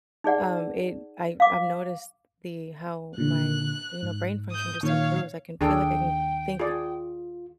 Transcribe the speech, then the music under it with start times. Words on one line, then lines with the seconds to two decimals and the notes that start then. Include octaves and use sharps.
Um, It I I've noticed the how my, you know, brain function just improves, I can feel like I can think
0.24 D#4 G#4 D5 F#5
1.40 F5 D6
3.18 A#2 D3 F#6
4.03 G#2
4.51 D#6 G6
4.83 A#2 D#3 C#5 F5 C#6
5.61 D#2 D4 G#4 A4 G5
6.59 F4 G#4 D5